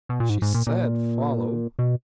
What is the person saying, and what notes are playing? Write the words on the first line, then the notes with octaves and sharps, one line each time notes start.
"She said--follow."
B2
A#2
G#2
G#2
A#2
A#2
B2